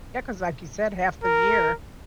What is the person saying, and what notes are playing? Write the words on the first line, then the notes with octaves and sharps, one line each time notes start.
Yeah, 'cause like you said, half the year,
A#4